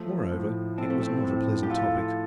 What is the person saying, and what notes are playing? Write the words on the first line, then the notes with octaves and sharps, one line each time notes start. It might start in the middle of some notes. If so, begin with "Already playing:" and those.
Moreover, it was not a pleasant topic.
Already playing: F3 A3
A2
C4 A4
A3
C4
A2
G4
F4 A4